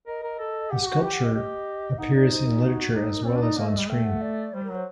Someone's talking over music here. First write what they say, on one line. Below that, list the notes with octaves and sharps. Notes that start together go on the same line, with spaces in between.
The sculpture appears in literature as well as onscreen.
A#4 D#5
A#4
A4
G4 F#5
G4
F#4
G4 G5
F#5
D#5
G4 D#5
D#4 F#5
D#4 D5
C5
A#4
G4
F#4
D#4 G4
A4
A#4
C4 D5
D4
D#4
A#3 D#5
A3
G3
A3 G5
F#5
D5
G3 C5
A#4
F#3
C5